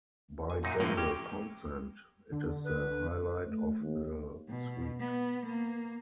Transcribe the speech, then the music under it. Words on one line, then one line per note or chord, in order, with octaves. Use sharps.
By general consent it is the highlight of the suite.
G#5
F#2 A#2 D#4
A2 D3 F3 A#3
C#4 G4
D3
B4
A3
D#2
B2
B3
A#3